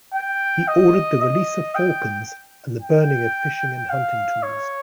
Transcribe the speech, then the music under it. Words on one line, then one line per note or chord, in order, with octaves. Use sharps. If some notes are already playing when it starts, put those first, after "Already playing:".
He ordered the release of falcons and the burning of fishing and hunting tools.
G5
D#5
D#5
G5
G5
F5
C#5